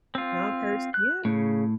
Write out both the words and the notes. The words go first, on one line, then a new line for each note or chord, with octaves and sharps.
now I'm perched, yeah.
C4 F4
F#6
A2 C#3